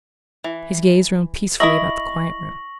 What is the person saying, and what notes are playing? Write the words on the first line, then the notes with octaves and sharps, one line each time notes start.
His gaze roamed peacefully about the quiet room.
E3
E4 D#5 E5 C#6 A#6 F#7